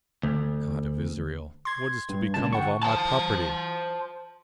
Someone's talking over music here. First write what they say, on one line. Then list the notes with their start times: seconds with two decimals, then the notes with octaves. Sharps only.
"God of Israel! what is to become of all my property?"
0.23 D2
1.65 C6 G#6
2.09 G2
2.34 C#2 A5
2.53 D3 F#5 G5 C#6
2.83 C5 A5